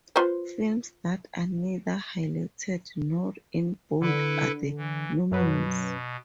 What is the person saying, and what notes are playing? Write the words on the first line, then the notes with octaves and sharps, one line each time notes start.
Films that are neither highlighted nor in bold are the nominees.
F4 B4 C5
D3 E4 A4 B4
E3
F#2 B2 F#3 B4